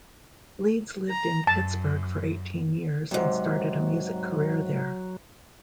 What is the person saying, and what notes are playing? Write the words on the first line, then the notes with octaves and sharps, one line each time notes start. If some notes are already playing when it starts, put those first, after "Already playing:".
Leeds lived in Pittsburgh for eighteen years and started a music career there.
A#5
F#2 A5
G#2 C3 F#3